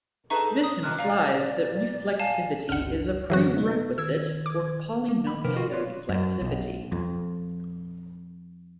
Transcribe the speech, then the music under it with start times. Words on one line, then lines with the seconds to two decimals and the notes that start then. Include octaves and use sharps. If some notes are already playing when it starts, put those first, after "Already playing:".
This implies that reflexivity is a prerequisite for polynomial reflexivity.
0.30 D#4 G#4 A4 B4 E5 A5 C#6
0.64 B4 D#6
0.83 C3 D#3 F3 F6 F#6
0.99 A#2 D5 F5 A#5
2.20 F5 G#5 A5
2.69 G1 C#2 D4 F#5 F6
3.30 F#2 D3 E3 F#3 F#4
3.57 C3 B3 D#4
3.98 D#3 E6 G#6
4.46 D6
5.08 A#3
5.27 B5
5.44 C3 F3 A#4 B4
5.56 F4 F#4
5.70 F4 B4 C#5 D5
6.09 F#2
6.41 B1
6.92 F2